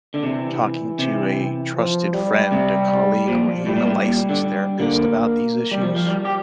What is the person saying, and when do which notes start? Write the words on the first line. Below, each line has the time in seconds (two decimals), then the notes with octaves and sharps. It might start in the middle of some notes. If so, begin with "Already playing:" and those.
talking to a trusted friend, a colleague, or even a licensed therapist about these issues?
0.14 D3
0.23 C3 E3
0.99 C3
1.75 F3
2.14 G3
2.52 C3
3.28 A#2 F3
3.66 A2 G3
3.76 A#2
3.86 A2
4.04 A#2
4.29 D3
4.80 D3 A#3
5.71 G3
5.82 F3
5.96 F3
6.07 G3
6.25 G4